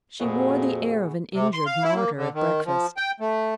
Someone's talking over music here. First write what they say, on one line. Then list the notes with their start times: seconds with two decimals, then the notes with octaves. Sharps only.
She wore the air of an injured martyr at breakfast.
0.19 F2 A#2 E4 F#4 G#4
1.34 C3
1.54 C6
1.66 F5
1.83 E4
1.94 A#3
2.17 D3
2.34 D#3
2.66 F3
2.97 G5
3.20 A3